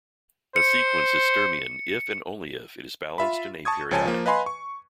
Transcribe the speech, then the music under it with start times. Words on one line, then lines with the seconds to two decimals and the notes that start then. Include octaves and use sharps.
A sequence is Sturmian if and only if it is balanced and aperiodic.
0.56 C5 C#7
3.18 F4 E5 B5
3.65 A5 C#6 D#6 G#6
3.91 C#2 F3 C#5 G#5 A5 D#7
4.06 F3 A#3
4.26 B4 D#5 F5 G#5 B5 C6
4.46 C#6